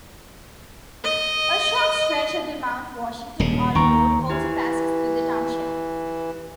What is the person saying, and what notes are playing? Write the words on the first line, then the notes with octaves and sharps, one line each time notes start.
A short stretch of the Mount Washington Auto Road also passes through the township.
D#5
D#1 C#3
D#2 G5 A#5 C#6
E3 E4 G4 B4